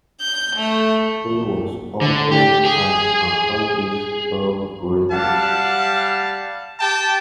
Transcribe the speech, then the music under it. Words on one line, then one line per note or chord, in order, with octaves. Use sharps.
He was also an accomplished dog breeder.
G6
A3
D3
G4
G#4
G3 F5 F#5 A5
G4 G5 A5